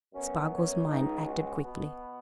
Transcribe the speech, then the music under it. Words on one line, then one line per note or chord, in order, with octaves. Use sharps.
Spargo's mind acted quickly.
F#2 F#3 B3 C#4
C#4
C#2 C#3 G#3 D#4
F#4
B2 B3